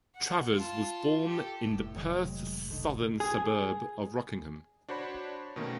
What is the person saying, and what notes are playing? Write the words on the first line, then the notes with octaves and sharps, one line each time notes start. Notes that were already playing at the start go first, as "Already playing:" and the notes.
Travers was born in the Perth southern suburb of Rockingham.
F#5
F4 A5
G4 A4
F1 A2
F1 A2 C3 D#3 F#3 G#3
B1 D3 D#3
G#4
D4 F#4 C5 C#5 B5
B2 D#3 A3 A#3 C#4